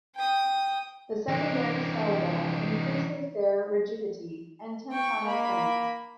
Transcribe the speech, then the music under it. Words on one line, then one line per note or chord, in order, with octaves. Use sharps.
The secondary cell wall increases their rigidity and tensile strength.
G5 D#6
E3 D4
G5 C#6
A#3 B5